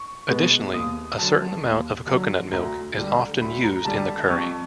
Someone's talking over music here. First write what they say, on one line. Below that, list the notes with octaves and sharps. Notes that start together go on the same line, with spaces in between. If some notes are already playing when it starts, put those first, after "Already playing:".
Additionally, a certain amount of coconut milk is often used in the curry.
Already playing: C#6
B2 G#3 B3
D#2 D#6
D3 F#3 A5
D#2
D3 F#3
D2 A#5
D3 G3
D2 B5
A#5
D3 G3 A5
F2 C#6